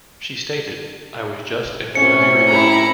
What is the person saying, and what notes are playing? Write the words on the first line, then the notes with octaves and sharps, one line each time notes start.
She stated, I was just an ordinary girl.
A2 C3 C4 C#4 C#7
E4 A#5